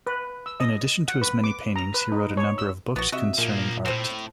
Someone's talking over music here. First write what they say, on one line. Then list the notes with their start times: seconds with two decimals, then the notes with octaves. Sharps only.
In addition to his many paintings, he wrote a number of books concerning art.
0.07 B4
0.46 E6
0.60 D#5
1.08 F#5
1.21 B4
1.44 D6
1.76 A#5
1.94 B4
2.12 D#4
2.37 C#5
2.58 E6
2.96 A#1 B3 F#4
3.12 C3 F#4 D#5 E5
3.38 A#2 F3 A#3
3.86 A2 C4 C5